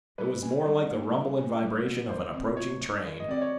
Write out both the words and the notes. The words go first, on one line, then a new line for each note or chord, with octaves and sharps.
It was more like the rumble and vibration of an approaching train.
G3 B4
C#4
G3
A#3
G3
C#4
G3
A#3
D#3 C5
C4
F4 C#5
G#3
D#3
D#5
C4 D5
C#5